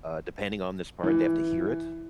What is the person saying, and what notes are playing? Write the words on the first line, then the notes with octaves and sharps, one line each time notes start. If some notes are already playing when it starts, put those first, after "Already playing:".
uh, depending on this part, they have to hear it,
E3